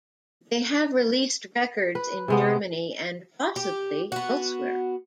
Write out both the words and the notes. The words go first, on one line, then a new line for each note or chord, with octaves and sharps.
They have released records in Germany and possibly elsewhere.
B4
C3 G#3 B3
G4
B3 F#4